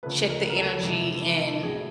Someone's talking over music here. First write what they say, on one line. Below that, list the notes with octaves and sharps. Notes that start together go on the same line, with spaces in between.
check the energy, and
D2 C#3 F3 A3 B4
A#4
A#4
A4
F2 C3 E3 G#3
A2 F#3 A3 G#4